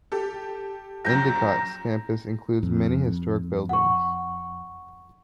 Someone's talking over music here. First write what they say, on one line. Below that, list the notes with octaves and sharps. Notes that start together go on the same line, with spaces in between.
Endicott's campus includes many historic buildings.
G4 A4
A#1 F#2 G5 A#5
F2
F#5 C#6